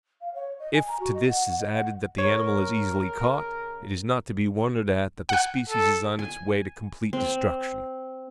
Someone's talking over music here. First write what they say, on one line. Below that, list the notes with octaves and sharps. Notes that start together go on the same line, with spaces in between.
If to this is added that the animal is easily caught, it is not to be wondered at that the species is on its way to complete destruction.
F5
C#5
D#5
G#5
A#5
F#4
D#5
F#5
F#5
D#5
F#5
C#3 A#4 C#5
F#5 F#6
A4
G#5
C4